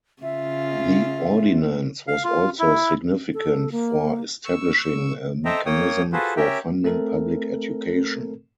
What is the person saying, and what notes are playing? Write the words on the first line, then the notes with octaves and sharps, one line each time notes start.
The ordinance was also significant for establishing a mechanism for funding public education.
C#3 F4 E5
F5
F4
E4
A4
A#3
C#6 E6
A4 C5 D#5 E5 G5 A#5
A#3 C#5 G5 D#6
F4 F#4 G#4 A4 B4 C5
C#4 G4 A#4 E5 G5
A3 C4 A4 A#4